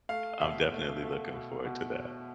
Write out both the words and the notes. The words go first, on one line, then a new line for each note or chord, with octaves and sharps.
I'm definitely looking forward to that.
A3 F5
B2 E5
A3
A3
B2
B2